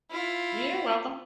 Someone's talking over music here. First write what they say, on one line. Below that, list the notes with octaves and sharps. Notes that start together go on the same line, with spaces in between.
You're welcome.
E4 F4